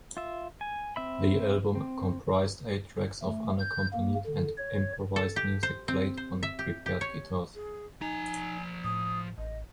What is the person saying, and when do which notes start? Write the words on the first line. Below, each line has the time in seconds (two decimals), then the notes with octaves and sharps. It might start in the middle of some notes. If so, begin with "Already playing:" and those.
The album comprised eight tracks of unaccompanied and improvised music played on prepared guitars.
0.17 F4 E5
0.61 G#5
0.96 C4 E5 B5
1.75 C4
3.22 A3
3.59 G6
3.94 A#3
4.27 D3
4.57 C#5
5.16 A4
5.36 G4
5.63 C5
5.88 C4
6.17 C5
6.43 E5
6.59 G4
6.86 G4
7.01 C#5
7.55 G#4
8.02 F3 D#4 G#5 A#5
8.84 A2 D#6
9.38 A1 D#5